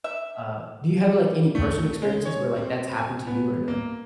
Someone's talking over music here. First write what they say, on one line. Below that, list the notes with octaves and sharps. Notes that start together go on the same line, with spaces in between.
uh, do you have, like, any personal experiences where, like, that's happened to you or no?
E5
A3
G#3
C#5
C4
G#5
B3
A#3